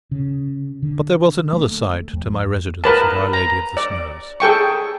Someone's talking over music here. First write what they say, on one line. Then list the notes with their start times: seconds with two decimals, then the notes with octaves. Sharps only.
But there was another side to my residence at Our Lady of the Snows.
0.11 C#3
0.82 D3
1.53 A3
2.13 F2
2.84 A#4 B4 A5
3.33 A#5
3.77 D5
4.40 G#4 A4 G5 C#6